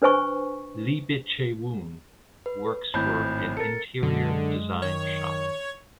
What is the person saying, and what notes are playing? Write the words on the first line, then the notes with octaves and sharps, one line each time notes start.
Lee Bit Chae Woon works for an interior design shop.
D4 B4 C5 G#5 C#6
B4
G#1 A2 B5 G6
A4 A#4 A6 C#7
F#2 D3 G#3
D#3 C#5